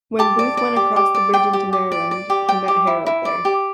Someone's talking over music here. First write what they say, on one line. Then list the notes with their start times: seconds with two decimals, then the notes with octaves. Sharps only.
When Booth went across the bridge into Maryland, he met Herold there.
0.19 G4 A5
0.39 D5
0.57 D5
0.76 G4
0.96 G4
1.15 D5
1.34 D5 G5
1.53 G4
1.73 G4
1.92 D5
2.11 D5
2.30 G4
2.49 D5 G5
2.68 G4
2.87 E4
3.06 E4
3.25 D5
3.45 G4